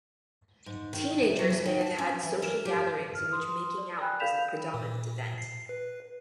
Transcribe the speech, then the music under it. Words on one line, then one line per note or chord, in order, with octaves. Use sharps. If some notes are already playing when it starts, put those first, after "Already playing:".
Teenagers may have had social gatherings in which making out was the predominant event.
G#2
D#3
C3
F#3
E2
D#3
A5
C#4
E3
A#4
G4
F6
C6 D#6
D5
D5 G5 G#5 B5 F#6
F5 B5 G6 B6 E7 F7
A#2
C7
B4